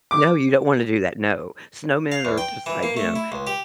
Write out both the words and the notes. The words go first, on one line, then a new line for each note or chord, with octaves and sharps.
No, you don't wanna do that, no. Snowmen are just like, you know,
D6
F5
E2
G5
E3
A#3
A3
E4
C#2
G4